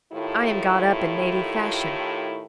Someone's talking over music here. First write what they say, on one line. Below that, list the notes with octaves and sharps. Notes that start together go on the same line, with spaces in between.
I am got up in native fashion.
A2 D#3 A3 E4 F4 G4